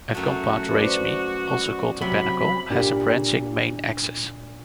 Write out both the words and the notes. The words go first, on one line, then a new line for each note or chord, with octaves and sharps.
A compound raceme, also called a panicle, has a branching main axis.
F#2 A3 F#4
B4 C5 D5
C3 F#3 B5
A#2 D4 F4 G4